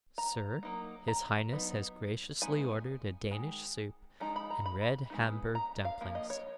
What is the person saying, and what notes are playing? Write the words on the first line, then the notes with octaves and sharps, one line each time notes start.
'Sir, his highness has graciously ordered a Danish soup and red Hamburg dumplings.'
A#5
F#3 A#3 D#4
A#5
F#3 B3 D#4
G#3 B3 D#4 G#5
D#3 G#3
F3 G#3 D#4 A#5
B5
A#5
B5
G#3 B3 D#4
A#5
F5
F3 A#3
D#5
C#5